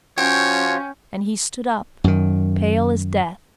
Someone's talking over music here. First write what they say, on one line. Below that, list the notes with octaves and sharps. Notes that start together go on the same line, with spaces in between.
And he stood up, pale as death.
F3 C#4 F4 F#4 C#5 G5
F#2 D#3